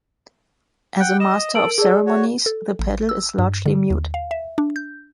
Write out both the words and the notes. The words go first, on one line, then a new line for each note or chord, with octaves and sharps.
As a master of ceremonies, the pedel is largely mute.
F#5 G5
D#5 E7
A4 A#4 D7 F#7
G#4 A4 D5
F#4 C#5
A4
A1
E6
G2
D3
D#2
F5
E5
D4
G6